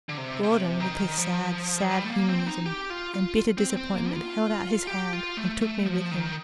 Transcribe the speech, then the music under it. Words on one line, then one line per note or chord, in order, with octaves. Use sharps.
Gordon, with his sad, sad humanism and bitter disappointment, held out his hand and took me with him.
D3
C3
C3
D#3
F3
G3
A3
A#3
C4
D#4
G4
F4
F4
C4
C4
A#3
F4
G4
F4
A3
A3
F3
D#3